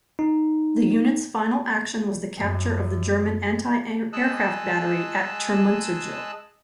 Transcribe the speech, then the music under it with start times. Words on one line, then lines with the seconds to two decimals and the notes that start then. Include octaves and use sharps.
The unit's final action was the capture of the German anti-aircraft battery at Termunterzijl.
0.19 D#4
2.37 F#2
4.13 G#3 G#4 D#5 A5 E6 F#6